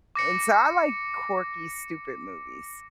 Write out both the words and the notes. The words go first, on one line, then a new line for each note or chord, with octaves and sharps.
and so I like quirky stupid movies.
D6 A#6 C#7